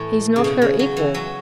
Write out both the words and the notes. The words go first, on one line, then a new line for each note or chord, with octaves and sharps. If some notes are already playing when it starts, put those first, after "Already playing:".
'He's not her equal.
Already playing: A2 E3
C#3
B2
C#3
F#3
E3
F#3